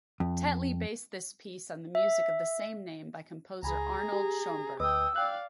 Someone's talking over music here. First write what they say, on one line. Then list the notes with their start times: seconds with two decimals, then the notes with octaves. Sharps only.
Tetley based this piece on music of the same name by composer Arnold Schoenberg.
0.20 F2
1.95 E5
3.63 C#2 G#4 G#5 A#5 B5
4.13 G4
4.80 D2 B4 D#5 G5 D#6 E6
5.16 D5 F5 G5 F#6